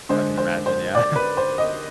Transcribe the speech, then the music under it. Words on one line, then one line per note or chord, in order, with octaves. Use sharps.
I can imagine, yeah.
D3 G#3 C5
C5
C5
D5
B4
C5
D#5